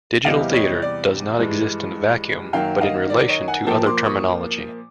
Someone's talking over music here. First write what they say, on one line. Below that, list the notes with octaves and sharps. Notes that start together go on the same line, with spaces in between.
Digital theatre does not exist in a vacuum but in relation to other terminology.
E2 C3 E3 G3 D#5 F5
C#5 D#5
D5
G2 E3 G#3
F#2 D#3 F#3 A#3 F5 G5
D#5 F5
D5
C#5 D#5
F#5 G#5
A#2 F3 A#3 G5 A5
C6 D6
C#6 D#6